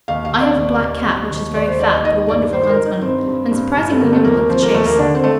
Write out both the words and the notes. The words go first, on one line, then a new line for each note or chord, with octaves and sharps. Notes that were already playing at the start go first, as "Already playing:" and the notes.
I have a black Cat, which is very fat, but a wonderful huntsman, and surprisingly nimble at the chase.
D#2 F5
F5
D#2
D5
D#2
D#2
D#2
D#2
D#2 D5
C5
D#2 D5
D#5
D#3 D#5
G2 D5
D#3 C5
C5
A#4
D#3
D#4
G2 C4
G2
G2
G2
A3
D3 A#3
A3
D#2 A#3
A#3
F3 C4
A#3
D#2 A3
A#3
D3 D4
C4
A3